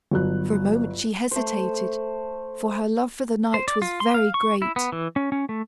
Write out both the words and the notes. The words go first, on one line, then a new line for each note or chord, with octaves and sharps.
For a moment she hesitated, for her love for the knight was very great.
G1 F#3 F#4 F#6
A3 C5
C5
D5
F4
C6
F5
C#6
E4
B3
E3
C#4
C#4
A3